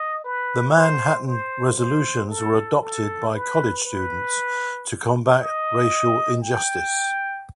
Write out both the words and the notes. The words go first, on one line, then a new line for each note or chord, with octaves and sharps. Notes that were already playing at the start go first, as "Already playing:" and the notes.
The Manhattan Resolutions were adopted by college students to combat racial injustice.
Already playing: D#5
B4
C5
C5
C5
A4
A4
B4
B4
D#5
G5